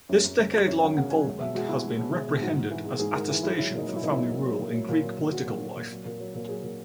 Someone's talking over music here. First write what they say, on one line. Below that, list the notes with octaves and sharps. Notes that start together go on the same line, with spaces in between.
This decade-long involvement has been reprehended as attestation for family-rule in Greek political life.
F#2
F#2
C#3
F#3
F#2 C#5
F#2 F#5
C#3 F#5
F#3 G#5
G#3
B2 E5
G#3 F#4
B2 E4
G#3
B2
G#3
B2
G#2 F#4
G#2
E3
G#3
G#2 G#4
G#2 A#4
E3 G#4
G#3 E4
F#3 E4
A#2
D#4
F#3
E4
A#2 D#4
E4
F#3
A#2
F#3
A#2
F#3
A#2
F#3
A#2
F#3 F#4
A#2
F#3
A#2
F#3
A#2
F#3
A#2
F#3 G#4
A#2